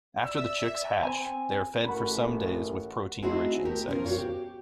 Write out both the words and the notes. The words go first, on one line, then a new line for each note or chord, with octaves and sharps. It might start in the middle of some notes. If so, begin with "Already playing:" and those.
After the chicks hatch, they are fed for some days with protein-rich insects.
D5 E5 E6
C4 G#5
A1 F#4 A#4 B5
A3 C4 D#4 E4 F#4 G#4
A3 B3 G4 A#4
F3 C#4 F4 G4 A#4 C5
F#4 G4 A#4 C#5 F5
G4